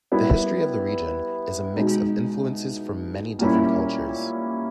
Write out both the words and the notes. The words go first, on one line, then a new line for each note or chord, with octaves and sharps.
The history of the region is a mix of influences from many different cultures.
G3 B3 E4
B2 G#3 D#4
A#2 G3 A#3 C#4 E4